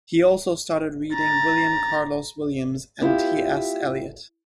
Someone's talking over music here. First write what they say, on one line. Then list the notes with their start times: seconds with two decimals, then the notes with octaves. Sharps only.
He also started reading William Carlos Williams and T. S. Eliot.
1.14 A#5 A6
3.01 B3 E4 F4 G4